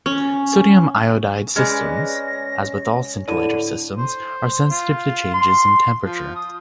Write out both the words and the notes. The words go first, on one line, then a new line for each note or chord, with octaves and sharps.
Sodium iodide systems, as with all scintillator systems, are sensitive to changes in temperature.
C#4
G#3 C#4 B4 D5 A#6
A2 D3 D#7
C5
F4
C6
F3
D#6